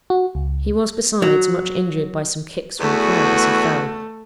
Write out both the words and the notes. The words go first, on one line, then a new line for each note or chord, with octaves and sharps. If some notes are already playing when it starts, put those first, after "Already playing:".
He was, besides, much injured by some kicks from the crowd as he fell.
F#4
C#2
F#3
E2 A3 F#4